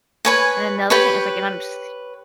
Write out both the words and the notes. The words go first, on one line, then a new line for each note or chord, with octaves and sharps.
And another thing is, like and I'm s
B4 C#5 G#5
G4 B4 C#5